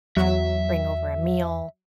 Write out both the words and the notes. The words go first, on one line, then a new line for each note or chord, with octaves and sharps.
to bring over a meal,
E2 F#3 E5